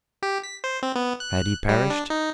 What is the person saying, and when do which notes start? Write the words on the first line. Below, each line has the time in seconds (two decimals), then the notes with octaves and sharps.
Had he perished?
0.23 G4
0.43 B6
0.64 C5
0.83 C4
0.96 B3
1.20 F#6
1.69 G3
1.90 D4
2.10 D#4